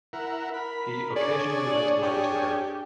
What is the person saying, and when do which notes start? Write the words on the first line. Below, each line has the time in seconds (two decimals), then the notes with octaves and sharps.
He occasionally lent money to her.
0.13 E4 A#4 F#5
0.54 A#4 B5
1.16 D4 G#4 C#5 D5
2.02 G4